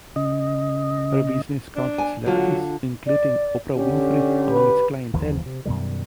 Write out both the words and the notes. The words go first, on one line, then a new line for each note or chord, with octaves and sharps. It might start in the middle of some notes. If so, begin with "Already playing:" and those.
Her business counted celebrities including Oprah Winfrey among its clientele.
C#3 D#5
D4
G#5
D3 F#3 F4
D5
D3 C#4 G4
B4
F#1 D#2 E3 F3
C3
F#2 B2 D#3 G3